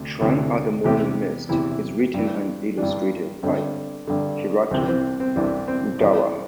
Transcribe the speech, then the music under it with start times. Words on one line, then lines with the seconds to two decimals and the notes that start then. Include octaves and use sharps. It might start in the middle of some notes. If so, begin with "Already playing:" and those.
"Shrine of the Morning Mist" is written and illustrated by Hiroki Ugawa.
Already playing: D2 C3
0.21 D2 C3 E3
0.84 E2 C3 E3 G4
1.49 E2 C3 E3 E4
2.14 G2 E3
2.78 G2 E3 D4
3.43 G2 D3 C4
4.07 G2 D3
4.71 C2 C3 E3 C4
4.88 C4
5.20 C4
5.36 C2 C3 E3 D4
5.68 C4
6.00 G2 E3 D4